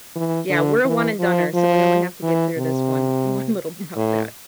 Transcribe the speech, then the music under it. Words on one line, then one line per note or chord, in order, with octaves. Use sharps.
Yeah, we're a one and doner, so we only have to get through this one one little rough patch.
E3
D3
E3
F3
F3
E3
C3
A2